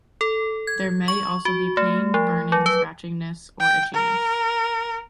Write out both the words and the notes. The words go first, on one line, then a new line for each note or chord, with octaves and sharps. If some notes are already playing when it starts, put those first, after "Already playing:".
There may also be pain, burning, scratchiness, or itchiness.
A4
G#6
C#6
F#4
A3
F3
F#3
B4
G5
A#4